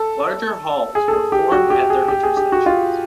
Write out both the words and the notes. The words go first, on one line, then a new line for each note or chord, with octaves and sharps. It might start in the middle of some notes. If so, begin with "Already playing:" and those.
Larger halls were formed at their intersections.
Already playing: A4
G#4
A4
G#4
G4
F#4
G4
G#4
G4
G#4
G4
F#4
F4